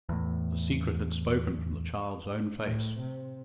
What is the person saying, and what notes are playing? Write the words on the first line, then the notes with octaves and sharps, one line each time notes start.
The secret had spoken from the child's own face.
E2 A2
A2
C3